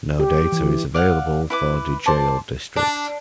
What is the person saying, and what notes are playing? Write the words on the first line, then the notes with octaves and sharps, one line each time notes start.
No data is available for Dujail District.
G4
E3
D5 F5 F#5
E4 B4 D6
C5 D5 A5
D4